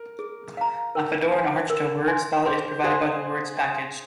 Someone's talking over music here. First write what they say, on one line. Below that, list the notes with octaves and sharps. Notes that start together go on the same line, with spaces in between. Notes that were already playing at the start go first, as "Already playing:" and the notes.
On Fedora and Arch, the words file is provided by the words package.
Already playing: A#4
G#4
F5 A#5
A#4
G#5 C6
A#4
G#5 C6
G#4 C5
G#4 C5 F5 C6